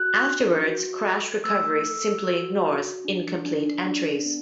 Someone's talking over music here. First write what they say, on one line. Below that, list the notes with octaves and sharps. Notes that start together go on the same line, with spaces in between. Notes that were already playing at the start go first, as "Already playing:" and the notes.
Afterwards, crash recovery simply ignores incomplete entries.
Already playing: F#4 F#6
D4
F#4
A4
A3 E6
A4
F#4
F#4
D4
D4
D4
B3